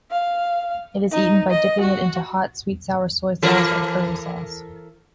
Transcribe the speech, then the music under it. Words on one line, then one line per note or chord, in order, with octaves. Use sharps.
It is eaten by dipping it into hot sweet-sour soy sauce or curry sauce.
F5
D#4
D#5
F#4
E3 A4 A#4